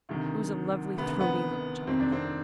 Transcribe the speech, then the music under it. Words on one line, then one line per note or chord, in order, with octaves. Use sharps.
It was a lovely throaty little chuckle.
D2 C3 D#3
D2 C3 D#3 B3
B3
F2 C3 D#3 C4
D4
C4